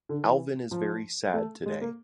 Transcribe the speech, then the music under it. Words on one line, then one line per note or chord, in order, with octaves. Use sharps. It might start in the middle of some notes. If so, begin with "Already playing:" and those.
Alvyn is very sad today.
D3
E3
F3
A3
G#3
A#3